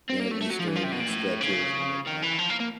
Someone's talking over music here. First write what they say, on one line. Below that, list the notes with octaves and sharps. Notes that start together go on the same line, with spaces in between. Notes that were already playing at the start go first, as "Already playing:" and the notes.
you know, eastern stretches, and whatnot.
C4
A#3
A3
A3
F#3
F3
E3
F3
C3
B2
A#2
A2
C#3
D#3
E3
F3
A#3
A#3